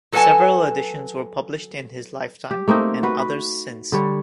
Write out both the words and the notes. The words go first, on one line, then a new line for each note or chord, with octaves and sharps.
Several editions were published in his lifetime, and others since.
F#3 A4 B4 F#5 G#5 A5
G4
A3 A#3 C4 D#4
F#4 B4 F#5
B4
D3 G3 C#5